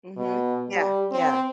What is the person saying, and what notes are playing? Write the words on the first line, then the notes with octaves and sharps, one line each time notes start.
Mhm. Yeah, yeah.
B2
G3
C4